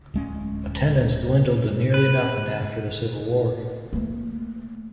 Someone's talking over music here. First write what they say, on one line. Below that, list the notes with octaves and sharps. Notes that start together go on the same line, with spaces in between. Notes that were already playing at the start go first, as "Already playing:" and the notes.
Attendance dwindled to nearly nothing after the Civil War.
D1 G#3 C#4
B4
A3 A#3